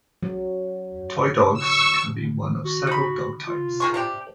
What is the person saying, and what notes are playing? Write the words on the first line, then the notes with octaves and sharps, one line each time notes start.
"Toy dogs" can be one of several dog types.
F#3
C#6 E6
F#4
D#4 B5
F4
D#3 G#4 C#6
C3 D4 G4